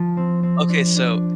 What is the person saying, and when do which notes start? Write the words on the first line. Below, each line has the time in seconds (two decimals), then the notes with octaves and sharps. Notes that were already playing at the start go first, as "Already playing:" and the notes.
Okay, so,
Already playing: F3
0.17 C4
0.43 C4
0.69 D4
0.96 D4